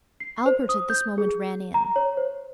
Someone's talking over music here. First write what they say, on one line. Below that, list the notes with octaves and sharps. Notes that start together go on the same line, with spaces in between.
Albert at this moment ran in.
C7
C5
D#6
G6
G#4
A#5
C#5
C5